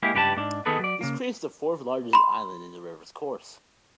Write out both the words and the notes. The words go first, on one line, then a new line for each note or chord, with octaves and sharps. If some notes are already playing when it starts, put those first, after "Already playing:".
This creates the fourth largest island in the rivers course.
G#3 A#3 E4 G4
C#2 G2 G4 B4 G5 A5
G#2 D4
D#3 B3 G#4 A4 B4
F#3 D5
C#3 A#3
B5 C6